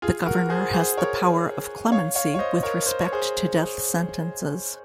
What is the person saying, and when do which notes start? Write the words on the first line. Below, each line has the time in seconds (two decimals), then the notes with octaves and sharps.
The governor has the power of clemency with respect to death sentences.
0.02 F4 G#4
0.26 F#4 A#4
0.50 G#4 C5
0.73 G#4 C5
0.98 A#4 C#5
1.92 C#5 F5
2.15 C#5 F5
2.34 C#5
2.39 C5 D#5
2.63 A#4 C#5
2.86 C5
3.00 C#5
3.12 G#4 C5